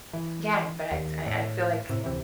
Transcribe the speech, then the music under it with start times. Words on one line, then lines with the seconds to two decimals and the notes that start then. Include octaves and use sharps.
Yeah, I bet, I I feel like
0.13 E3
0.92 D#2
1.26 A2
1.89 A2 C3
2.04 D2 C3 E3